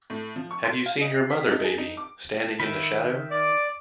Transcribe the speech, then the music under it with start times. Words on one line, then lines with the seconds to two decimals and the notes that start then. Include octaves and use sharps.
Have You Seen Your Mother, Baby, Standing in the Shadow?
0.10 A2
0.36 F3
0.51 C#6
0.65 C6
0.86 F5
1.01 D#5
1.16 C7
1.30 B6
1.51 D#4
1.64 G#4
1.78 D#4
1.97 D6
2.60 D#3 E5 B5
3.31 D5 D6